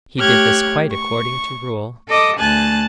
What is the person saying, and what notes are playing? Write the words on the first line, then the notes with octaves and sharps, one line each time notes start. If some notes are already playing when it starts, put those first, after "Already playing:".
He did this quite according to rule.
A3 G4 C#5 F6 F#6 G#6
C#6
A4 D#5 D6 D#6
D2 A3 G#5 A5 F#6 A6